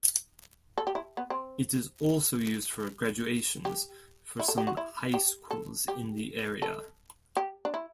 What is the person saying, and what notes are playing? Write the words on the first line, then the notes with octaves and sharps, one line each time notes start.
It is also used for graduations for some high schools in the area.
A4
G4
E4
B3
C4
G4
E4
A4
G4
F#4
E4
G4
A4
G4
A4
G4
D4
E4